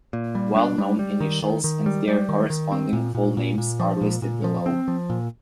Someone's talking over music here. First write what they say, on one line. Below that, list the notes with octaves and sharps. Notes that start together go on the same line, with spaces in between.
Well-known initials and their corresponding full names are listed below.
A#2
G3
D4
G3
G3
D#3
D#3
D#3
G3
G3
D#3
D#3
C4
A#2
A#2
A#2
A#2
F3
A#2
A#2
F3
C4
F3
A#2